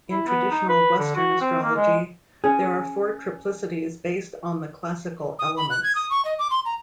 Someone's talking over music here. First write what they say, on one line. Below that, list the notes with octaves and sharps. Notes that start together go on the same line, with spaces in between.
In traditional Western astrology there are four triplicities based on the classical elements.
E4
B3
D#4
B4
D3
F#4
C4
A#3
G#3
C#4 G#4
D#6
B5
F#6
G#6
D#6
C#6
D#5
D6
C6
A#5